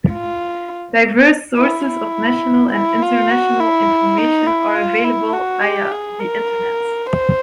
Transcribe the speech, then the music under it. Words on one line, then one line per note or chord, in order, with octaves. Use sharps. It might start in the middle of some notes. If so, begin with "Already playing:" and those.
Diverse sources of national and international information are available via the Internet.
F4
E4
E4
E4
F4
F#4
E4
D#4
E4
F4
E4
F#4
G4
G#4
A#4
C5